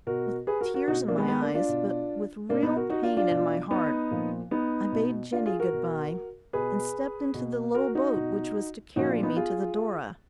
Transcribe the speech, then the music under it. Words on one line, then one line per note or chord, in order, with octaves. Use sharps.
With tears in my eyes, but with real pain in my heart I bade Jennie good-bye, and stepped into the little boat which was to carry me to the "Dora."
B2 F#4 A#4
G#4 B4
F#4 A#4
F#4 A#4
B2 D#4 F#4
A#3 D4
G#3 B3
G#3 B3
A#3 D4
D4 F4
B2
B2 A#3 D4
B3 D#4
F#4 A#4
D#4 F#4
D4 F4
D4 F4
B2
B3 D#4
A#2 F3
B3 D#4
B2
D4 F4
F4 G#4
F#4 A#4
B2
B2 G#4 B4
B2
F#4 A#4
D#4 F#4
B2
A#2 F3 D#4 F#4
D4 F4
B3 D#4
F4 G#4